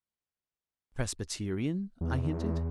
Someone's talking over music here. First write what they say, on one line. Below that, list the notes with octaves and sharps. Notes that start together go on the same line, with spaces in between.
"Presbyterian?" I hinted.
E2